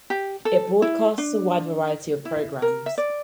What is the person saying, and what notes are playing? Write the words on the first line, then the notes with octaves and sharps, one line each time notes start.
It broadcasts a wide variety of programmes.
G4
A4
E4
D4
E4
A#4
E5
D5